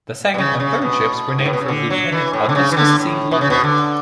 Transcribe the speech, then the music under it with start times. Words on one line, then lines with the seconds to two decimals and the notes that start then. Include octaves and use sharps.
The second and third ships were named for Lieutenant Augustus C. Ludlow.
0.34 B2
0.38 C#3
0.60 C#3
0.82 B2
1.39 G#2
1.45 A2
1.53 B2
1.61 C#3
1.68 D3
1.90 F#3
2.12 E3
2.33 A2
2.49 D3
2.55 C#3
2.72 E3
2.77 D3
2.98 A2
3.31 B2
3.41 C#3
3.50 B2
3.64 D3